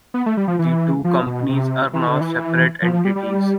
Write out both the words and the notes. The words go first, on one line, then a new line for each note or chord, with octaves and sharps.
The two companies are now separate entities.
B3
A3
G3
F3
E3
F3
B2
C3
E3
D3
E3
F3
F3
G3
G3